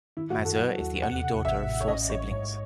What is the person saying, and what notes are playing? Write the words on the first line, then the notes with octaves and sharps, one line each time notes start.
Mazur is the only daughter of four siblings.
D#3 E4
F#4
F#2
A4
F#3
D#2
E2 F#5
C3
A1 E5
A2
C#5
C#4 D#5
A1 C#5
G#2